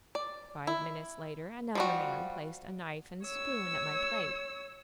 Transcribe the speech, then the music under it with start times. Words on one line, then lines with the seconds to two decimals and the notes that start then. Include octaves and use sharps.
Five minutes later another man placed a knife and spoon at my plate.
0.15 D5
0.67 E4
1.75 F3 G3 F#4
3.26 C#5 E6